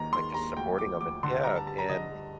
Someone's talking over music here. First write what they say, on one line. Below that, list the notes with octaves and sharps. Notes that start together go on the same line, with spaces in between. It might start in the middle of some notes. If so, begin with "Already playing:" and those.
like, just supporting him and yeah. And
Already playing: D#2 D#3 A#5
D#3 C6
D#2 A#5
D2 G5
F3 D6
D2 D6
D3 C6
G2 A#5
A5
G2 A5
A#5
D3 D#5
G2